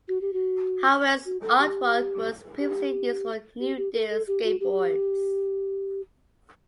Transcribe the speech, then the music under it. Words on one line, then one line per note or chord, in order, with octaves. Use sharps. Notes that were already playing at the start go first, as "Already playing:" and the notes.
Howell's artwork was previously used for New Deal Skateboards.
F#4
G4
F#4
F#4
A4
G4
G4
G4
G4
A4
A4
G4
F#4
G4